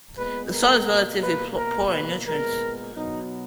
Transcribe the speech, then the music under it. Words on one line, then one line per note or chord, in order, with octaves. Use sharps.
The soil is relatively poor in nutrients.
A#2 G#3 B3 B4
A#4
B2 A#3
B4
B2 A#3 A#4
B4
A#2 G#3 B3 A#4
B2 F#3 B3 D#4